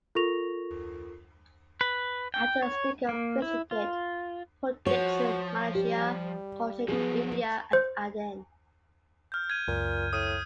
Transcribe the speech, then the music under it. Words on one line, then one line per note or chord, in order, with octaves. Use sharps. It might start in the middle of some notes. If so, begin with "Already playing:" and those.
After the "Stickell" visited Port Dickson, Malaysia; Cochin, India; and Aden.
F4 A4 A#4 C#6 A#6 F7
B4
G5
C#5
A#3
E4
F4
F3 F#4 C#5
G3 G4
F3 F#3 B3 G#4
C5
F6 G6
G#6 D#7
C#2 F#2 A#2
A2 D#6 D#7